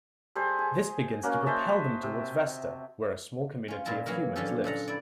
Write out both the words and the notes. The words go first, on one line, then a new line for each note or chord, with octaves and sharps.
This begins to propel them towards Vesta, where a small community of humans lives.
G3 G#4 A4 C5
G#4
A#3 C#4 F#4
C5 D#5 E5 A5
C3
C#4 F4
A#2 E4 A#4 A5
E3 F#3 A#3 F#4 A#4
D3 F3 F#3 C#4 G4 A4
A#2 A4 F#5 A#5
E4 D5